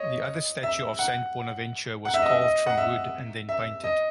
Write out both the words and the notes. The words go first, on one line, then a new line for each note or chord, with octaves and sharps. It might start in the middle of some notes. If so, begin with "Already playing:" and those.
The other statue of Saint Bonaventure was carved from wood and then painted.
Already playing: C#5 D#5
E5
F#5
F#5
E5
D#5
E5
D#5
F#5
E5
E5
D#5